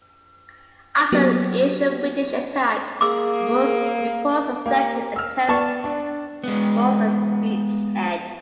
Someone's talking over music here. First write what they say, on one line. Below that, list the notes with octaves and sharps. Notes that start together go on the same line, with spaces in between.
After the initial British attack was repulsed a second attempt forced a beachhead.
F#3 A#3 B3 F#4 G4
A#3 G#4 D6 E6
A#3 G4
E6 F6
B3 D5 A5 C#6
D4
G#3 B3